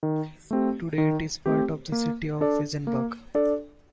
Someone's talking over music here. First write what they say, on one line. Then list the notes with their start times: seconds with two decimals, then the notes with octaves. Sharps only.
Today it is part of the city of Weissenburg.
0.03 D#3
0.51 A3 C4 G4
0.98 D#3
1.46 A3 C4 G4
1.92 A#3
2.41 D4 A4 D5
2.87 A#3
3.35 D4 A4 D5